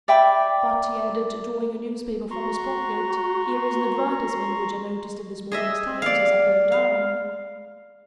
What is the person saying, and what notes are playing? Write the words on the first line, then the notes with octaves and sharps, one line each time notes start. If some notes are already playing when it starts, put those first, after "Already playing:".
But," he added, drawing a newspaper from his pocket, "here is an advertisement which I noticed in this morning's Times as I came down.
D5 E5 G5 B5
F#4 A#5 C6 C#6
G#4 D#5 E5
D5 F5
F5